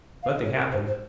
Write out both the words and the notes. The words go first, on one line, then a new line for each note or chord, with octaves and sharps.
Nothing happened.
F5
D#5
C#5
A#4
C5
C5